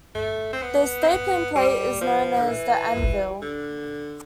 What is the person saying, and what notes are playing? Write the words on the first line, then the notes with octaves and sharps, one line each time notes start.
The stapling plate is known as the anvil.
A3
C4
B3
C4
B3
G3
F3
D3
E3
D3